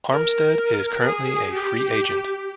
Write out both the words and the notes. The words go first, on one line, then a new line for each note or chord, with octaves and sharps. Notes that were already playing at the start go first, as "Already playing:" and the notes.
Armstead is currently a free-agent.
A#4
G#4
G4